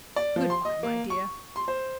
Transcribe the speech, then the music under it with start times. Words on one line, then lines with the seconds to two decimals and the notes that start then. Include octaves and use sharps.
Good-by, my dear.
0.16 D5
0.36 F3
0.50 C6
0.65 D#5
0.83 A#3
1.10 C#6
1.56 C6
1.68 C5